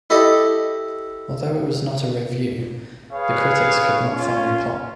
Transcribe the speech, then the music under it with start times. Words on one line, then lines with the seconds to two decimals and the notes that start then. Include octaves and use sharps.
Although it was not a revue, the critics could not find the plot.
0.10 E4 G4 A4 D#5
3.11 G#4 B4 C#5 F5
4.11 C#4 F4